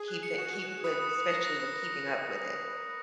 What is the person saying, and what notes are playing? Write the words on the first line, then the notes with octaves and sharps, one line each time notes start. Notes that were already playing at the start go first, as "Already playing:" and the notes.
keep it keep with especially with keeping up with it.
Already playing: G#4
F#6
C#7
F#4 E7
F#6
F#6
B4 D#6
D#6
D#6
A#4 A#6
A#6
D#6